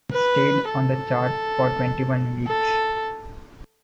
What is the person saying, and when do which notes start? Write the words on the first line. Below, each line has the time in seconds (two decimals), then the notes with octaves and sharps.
It stayed on the chart for twenty-one weeks.
0.13 B4
0.71 A4
2.47 A4